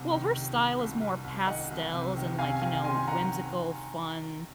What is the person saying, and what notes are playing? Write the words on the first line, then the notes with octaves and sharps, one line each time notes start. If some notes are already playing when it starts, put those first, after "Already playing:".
Well, her style is more pastels, and, like, you know, wh whimsical, fun,
Already playing: C2 C3
D#3
D#3
D#3
C2
C2
C2
D#3 D#5 F#5
C2
C3
D#3
C3 F5 G#5
D#3 F5 G#5
D#3 G#5 C6
D#3 F#5 A#5